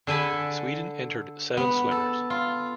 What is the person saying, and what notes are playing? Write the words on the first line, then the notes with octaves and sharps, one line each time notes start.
Sweden entered seven swimmers.
D3 A4 G#5 B5
B3
A4
F4